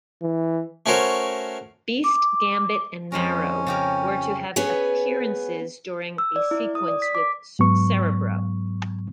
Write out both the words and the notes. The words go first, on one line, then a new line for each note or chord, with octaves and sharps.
Beast, Gambit and Marrow were to have appearances during a sequence with Cerebro.
E3
A3 C#4 F#4 A#4 C5 C#5
D6
F2 G#3 C#4 A#4
C#3 G4 A#4
B3 C#4 G#4 B4
E6
D5
E4
D#6
D5
B6
D6
G#2 F#3 B3 C#6